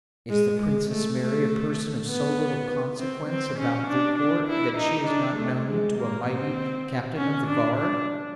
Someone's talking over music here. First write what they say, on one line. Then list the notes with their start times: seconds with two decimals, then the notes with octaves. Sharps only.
"Is the Princess Mary a person of so little consequence about the court that she is not known to a mighty captain of the guard?"
0.30 G#3
0.60 G#3
0.89 A3
1.19 A3
2.09 B3
2.99 C4
3.29 C4
3.59 C#4
3.88 D4
4.18 D4
4.48 E4
4.78 D#4
5.08 D4
5.38 A3
5.67 G#3
5.98 A#3
6.27 C4
7.17 C#4
7.47 D4
7.77 D4